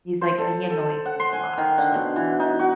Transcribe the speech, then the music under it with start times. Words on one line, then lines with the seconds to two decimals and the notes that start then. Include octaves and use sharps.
He's like, uh he annoys me a lot, actually.
0.21 C5
0.38 A4
0.70 A4
1.05 F#5
1.20 C6
1.33 G#5
1.58 D#3
1.78 D3
1.95 B2
2.16 E3
2.40 D#4
2.59 F#4